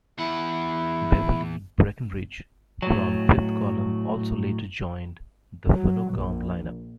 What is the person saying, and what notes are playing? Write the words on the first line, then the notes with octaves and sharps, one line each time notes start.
Beverly Breckenridge from Fifth Column also later joined the Phono-Comb lineup.
E2 E4 F#5
A2 F#3
F#3
A#1